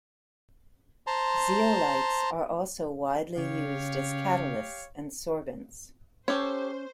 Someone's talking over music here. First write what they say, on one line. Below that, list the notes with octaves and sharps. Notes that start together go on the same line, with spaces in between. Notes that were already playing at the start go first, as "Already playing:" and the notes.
Zeolites are also widely used as catalysts and sorbents.
C5 A5 A#5 C6
C#3 G4 C#5 F5
C#4 G4 A4 C5 C#5